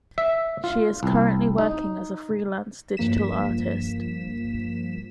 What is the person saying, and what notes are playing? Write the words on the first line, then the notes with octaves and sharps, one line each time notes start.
She is currently working as a freelance digital artist.
E5
F4
C2
D#4
G2 F3 A#3 B6 E7